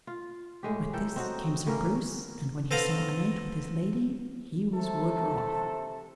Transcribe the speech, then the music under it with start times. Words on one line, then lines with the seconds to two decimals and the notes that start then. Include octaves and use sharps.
With this came Sir Breuse, and when he saw a knight with his lady he was wood wroth.
0.07 F4
0.63 A2 G#3 G4
0.93 A2 A4 A#4 G5
1.16 C4 D#4 F#4
1.67 A2 A#3 C#4 A#4
2.71 C4 A4 B4 F5 F#5 A#5
4.74 C3 A3 A4